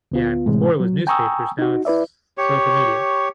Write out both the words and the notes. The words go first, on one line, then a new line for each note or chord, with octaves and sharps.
Yeah, before it was newspapers, now it's social media.
D2 B3 F4
A2 C3 E3 G#3
F#3
G5 G#5 A#5 C#6 D#6 E6
D#4 F#4
E4 B4 D5 E5
G4 C#5 C#6